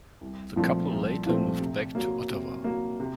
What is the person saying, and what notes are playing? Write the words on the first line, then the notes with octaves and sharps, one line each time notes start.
The couple later moved back to Ottawa.
C2
A#2 F3 A3 C4
C2
A#2 F3 A3 C4
C3
F#3 A#3
C3
F#3 A#3
C3